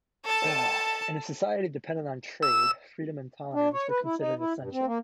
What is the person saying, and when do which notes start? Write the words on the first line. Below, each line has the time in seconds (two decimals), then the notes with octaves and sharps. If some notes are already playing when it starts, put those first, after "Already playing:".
In a society dependent on trade, freedom and tolerance were considered essential.
0.24 A4 A5
2.43 E6
3.54 D4
3.73 C#5
3.90 B4
4.03 E4
4.19 D#4
4.39 E4
4.58 G2
4.72 C4
4.86 A#3